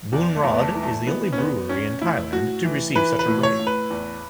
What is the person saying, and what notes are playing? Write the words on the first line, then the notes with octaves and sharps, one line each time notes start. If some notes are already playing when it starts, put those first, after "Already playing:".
Boon Rawd is the only brewery in Thailand to receive such a right.
E2
A3
E2
B3
A3
E3
A3
E3 B3
C#4
E2 B3
E2 C#4
A2 E4
A2 F#4
E3
E3 B4
B4
A2
C#5
A2
B4
E2